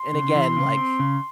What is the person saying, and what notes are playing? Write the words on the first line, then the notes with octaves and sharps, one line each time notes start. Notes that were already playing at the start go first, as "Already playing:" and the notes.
and again, like,
Already playing: C6
C#3
E3
C#3
C4
C#3